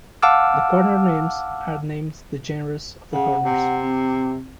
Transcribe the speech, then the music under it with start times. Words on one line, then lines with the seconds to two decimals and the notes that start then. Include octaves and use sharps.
The corner names are named the genres of the corners.
0.22 F5 F#5 A5 D6 E6 F6
3.13 C#3 F#5
3.45 C3
3.83 C4